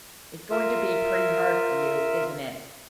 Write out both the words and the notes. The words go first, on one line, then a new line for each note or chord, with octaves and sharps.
"It's going to be pretty hard for you, isn't it?"
F4 A#4 E5